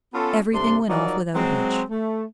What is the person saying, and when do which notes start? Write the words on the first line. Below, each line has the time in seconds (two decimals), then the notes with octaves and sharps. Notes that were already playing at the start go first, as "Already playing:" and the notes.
Everything went off without a hitch.
0.13 B3 C#4 F4 A4
0.52 G2 C3 A3 D4 C6
0.88 F3 F#3 D#4 A#4 D5
1.35 F#3 G#3 C4
1.89 A3